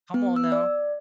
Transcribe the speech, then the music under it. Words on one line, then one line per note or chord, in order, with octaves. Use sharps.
Come on, now.
B3
E6
D5